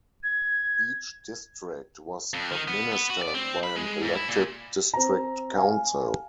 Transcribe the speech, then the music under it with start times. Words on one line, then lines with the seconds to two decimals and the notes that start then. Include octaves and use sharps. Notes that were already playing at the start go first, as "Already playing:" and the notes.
Each district was administered by an elected district council.
0.23 G#6
2.34 F2
2.52 D#3
2.68 B3
2.92 B3
3.10 F#4
3.22 D5
3.34 C4
3.63 B5
3.76 G#3
4.02 G#2
4.15 E4
4.29 A#2
4.94 C4 A#5
5.55 F5 G#5